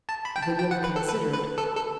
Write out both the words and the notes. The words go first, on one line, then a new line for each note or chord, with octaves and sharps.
William considered.
A5
B5
G5
A5
G5
F#5
B4
A4
B4
B4
A4
A4